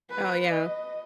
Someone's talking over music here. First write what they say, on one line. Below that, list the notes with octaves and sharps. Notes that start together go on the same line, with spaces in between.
Oh, yeah.
B4
D#5